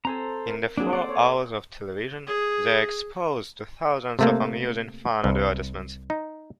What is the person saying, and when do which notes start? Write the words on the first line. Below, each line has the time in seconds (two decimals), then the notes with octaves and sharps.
In the four hours of television, they're exposed to thousands of amusing, fun advertisements.
0.05 C4 A4 C5 G#5 A#5
0.46 A#4
0.77 F#3 A#3 C4 D4 G#4
0.93 A4 C5 D5 F#5
1.09 C#5
2.27 G#4
4.19 C3 A3 A#3
5.24 C2
6.10 D#4